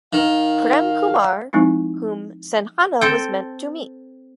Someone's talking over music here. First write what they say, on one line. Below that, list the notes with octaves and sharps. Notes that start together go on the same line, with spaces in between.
Prem Kumar, whom Sanjana was meant to meet.
D#3 F5
F3 G#3 C4 D#4 E4
C4 A4 G5